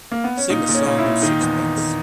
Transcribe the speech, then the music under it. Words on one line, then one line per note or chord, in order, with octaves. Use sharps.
Sing a song o' sixpence!
A#3
B3
C#4
A#2 D#4
A#2
C#4
A#2
E4
A#2
D#3 D#4
E2
D#3
D#3